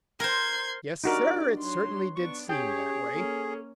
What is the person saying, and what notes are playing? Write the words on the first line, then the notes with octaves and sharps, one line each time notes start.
Yes, Sir, it certainly did seem that way.
A#4 C5 C6 G#6
D4 D#4 F#4 G4 A#4 D5
F#3 C6
B3 D4 C#6
C#4 G4 G#4 C#5 G5
A#3 C#4 A4